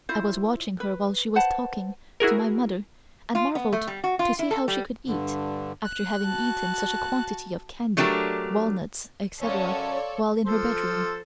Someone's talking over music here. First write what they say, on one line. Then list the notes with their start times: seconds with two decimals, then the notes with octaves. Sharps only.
I was watching her while she was talking to my mother and marvelled to see how she could eat, after having eaten such a quantity of candy, walnuts, etc., while in her bedroom.
0.09 E4 F4 C5
0.80 B4
1.35 B4 C5 F#5 A5
2.20 E4 F#4 G#4 A#4
3.35 F4
3.55 B3
3.73 A3
3.87 G3
4.04 F#4
4.19 F4
4.39 E4
4.51 A4
4.68 G3
5.06 G2 D3
5.85 F#6
6.23 F#4 A5
7.97 F#3 A3 D4 G4 A#4
9.41 F#2 C#4 A4 C#5 D5 F5 C6 C#6
10.47 F3 A4 C5